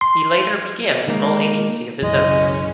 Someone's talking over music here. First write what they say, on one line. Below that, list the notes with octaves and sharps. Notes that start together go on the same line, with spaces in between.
He later began a small agency of his own.
C6
D#3 G#3 A#3 D#4
B1 F#2 C#3 E3 G#3 C#4 D#5